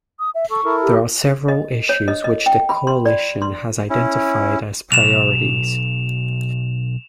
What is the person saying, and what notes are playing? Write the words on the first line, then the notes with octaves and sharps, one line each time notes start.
There are several issues which the Coalition has identified as priorities.
D#6
E5
A4 C#6
E4 A4 A#4
G4
D#5
C#5
D#5
D#5
G5
B5
C6
D5
C6
C#4 E4
B1 E7 F7